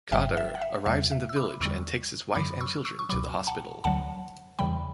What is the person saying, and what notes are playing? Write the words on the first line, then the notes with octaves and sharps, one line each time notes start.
Qader arrives in the village and takes his wife and children to the hospital.
G1 G2 F#3 E5 G5
E5
F#5
E5
E2 B2 G3 E5
E5
E6
B5 D6
E2 D3 G3 C#6 E6
F#2 D3 F#3 B5 D6
C#6 E6
C#6 E6
C#6
C#2 B2 F#3 B5 D6
F#5 A5
D2 D3 F#3 F#5 A5
E2 C#3 E3 G3 G5 B5